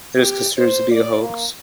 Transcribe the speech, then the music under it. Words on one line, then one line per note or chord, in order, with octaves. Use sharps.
It is considered to be a hoax.
G4
C5
D5
A#3